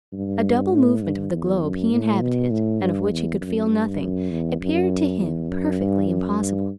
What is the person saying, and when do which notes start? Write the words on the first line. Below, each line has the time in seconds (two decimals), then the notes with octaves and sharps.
A double movement of the globe he inhabited, and of which he could feel nothing, appeared to him perfectly impossible.
0.13 G2
0.73 A2
1.02 G2
1.32 E2
1.62 F#2
1.91 A2
2.21 B2
2.51 A2
2.81 G2
3.11 E2
3.41 F#2
3.70 G2
4.00 F#2
4.31 E2
4.60 F#2
5.20 E2
5.50 F#2
5.79 G2
6.09 F#2
6.39 G2